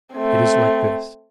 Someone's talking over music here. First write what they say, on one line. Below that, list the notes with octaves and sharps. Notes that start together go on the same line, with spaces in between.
It is like this.
A3 C4